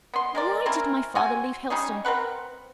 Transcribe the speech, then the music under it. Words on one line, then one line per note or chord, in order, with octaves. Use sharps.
Why did my father leave Helstone?
B3 C6
G#3 A#4 D5
C4 C#4 E4 A#4
C4 F#4 G#5
G3 C#4 D#4 G#4
C4 A#4 B4 F#5